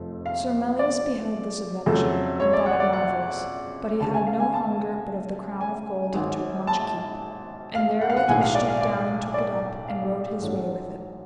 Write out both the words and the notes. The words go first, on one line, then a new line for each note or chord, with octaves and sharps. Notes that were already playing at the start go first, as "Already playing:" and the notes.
Sir Melias beheld this adventure, and thought it marvellous, but he had no hunger, but of the crown of gold he took much keep; and therewith he stooped down and took it up, and rode his way with it.
Already playing: F1 F2 F3 A3
F5
D5
F2 C#3 F#3 A3
C#5
D5
F#5
D5
F#5
D2 C#3 G#3 A5
G#5
F5
G#5
A5
G#5
G#1 G#2 F#3
A5
F5
F#5
F5
F#5
B1 A2 G#3 G#5
F5
D5
F5
D5
D5
F5
A1 G#2 F#3 A3